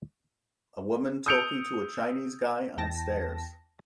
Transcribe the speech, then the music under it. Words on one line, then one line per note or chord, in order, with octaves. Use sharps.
A woman talking to a chinese guy on stairs.
D#6 E6 G6 C#7 D7 F7
E2 G5 A5 A#6